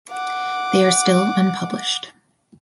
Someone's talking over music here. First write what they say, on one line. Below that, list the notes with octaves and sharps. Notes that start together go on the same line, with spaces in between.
They are still unpublished.
F#5 D6